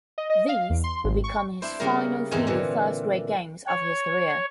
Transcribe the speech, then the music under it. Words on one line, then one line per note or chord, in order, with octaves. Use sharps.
These would become his final few first-grade games of his career.
D#5
D#5
F5
E2
C6
G#1
C#6
D4 E4 C5
C#3 G3 A#3 F4 A#4
E2 G#2 C4 D#4 G#5
A#2 D3 E3
C#5